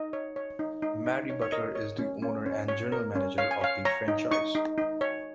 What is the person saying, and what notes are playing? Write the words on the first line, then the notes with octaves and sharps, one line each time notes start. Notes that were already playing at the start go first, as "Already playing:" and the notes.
Mary Butler is the owner and general manager of the franchise.
Already playing: D#4 D#5
C#5
C#5
D#4
D#4
D#4
C#5
C#5
A#4 D#5
C#5
C#4
C#4
C#4
C#5
A#4
C#4
C#5 F5
G#5
C#5 F5
C#5 A#5
D#4
D#4 C#6
D#4
D#4
C#5